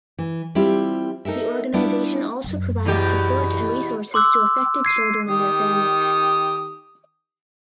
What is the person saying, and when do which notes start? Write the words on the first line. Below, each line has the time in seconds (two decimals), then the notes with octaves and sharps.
The organization also provides support and resources to affected children and their families.
0.18 E3
0.55 G3 C4 E4 F4 G4
1.25 D#4 A4 A#4 E5
1.73 G3 B3 D4 E4 F4
2.44 F#2
2.85 E2 B2 G4
4.14 C6 D6 E6 F#6
4.85 G#6 C7 D#7
5.27 D#3 G4 D#6